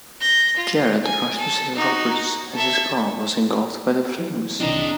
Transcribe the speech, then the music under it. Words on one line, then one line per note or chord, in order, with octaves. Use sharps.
Jarrett rushed to save Roberts as his car was engulfed by the flames.
G6 A#6
F4
G#5
A4
D#4 F#4
A4 E5
E3 F#3
C2 D#3 E3 C4 D4 D#5 A#5